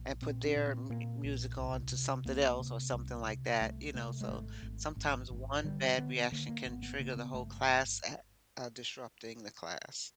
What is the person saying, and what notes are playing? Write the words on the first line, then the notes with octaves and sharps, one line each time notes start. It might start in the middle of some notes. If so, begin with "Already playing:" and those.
and put their m music on to something else, or something like that, you know? So, sometimes one bad reaction can trigger the whole class, a uh, disrupting the class.
Already playing: A#1
A#2 C4
C#4
A#2
C4
A#2 A#3
A#1
C2
C3
C2 A#3
C3
C2
C3
C2 A3
C3 A3
G#3
G#1 A3
G#1
G#1
G#1
D3 G3
D3 B3
D3 A#3
A#3
G#1 B3
B3
C#3 A#3
B3
G1 A3